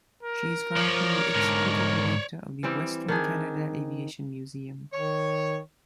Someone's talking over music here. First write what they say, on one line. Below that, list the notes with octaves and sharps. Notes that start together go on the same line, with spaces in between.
She is currently the executive director of the Western Canada Aviation Museum.
A#4
F3 C#5 D5
G#2 D3
E3 G3 C4
D#3 D4 G#4
D#3 C#5